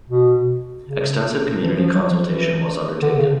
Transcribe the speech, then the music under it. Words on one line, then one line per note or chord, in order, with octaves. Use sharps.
Extensive community consultation was undertaken.
B2
C#3
E3
F3
F#3
F3
E3
D3
C#3